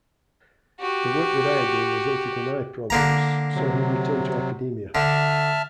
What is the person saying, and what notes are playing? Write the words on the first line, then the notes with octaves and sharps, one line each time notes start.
The work with iodine resulted in eye problems, so he returned to academia.
F#4 G4
D3 A#3 A#5
C3 F#3
D3 E5 A5 F6